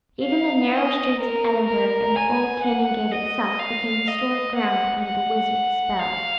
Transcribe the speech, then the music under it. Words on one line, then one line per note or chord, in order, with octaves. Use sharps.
Even the narrow streets of Edinburgh and the old Canongate itself became historic ground under the Wizard's spell.
F5
D#5
A#4
A#4
G#5
F#5
D#5
F5
D#5
F#5
F#5
F5